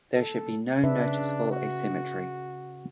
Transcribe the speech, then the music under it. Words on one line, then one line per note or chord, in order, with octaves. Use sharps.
There should be no noticeable asymmetry.
A4
C#3 D4 B4 E5
F#4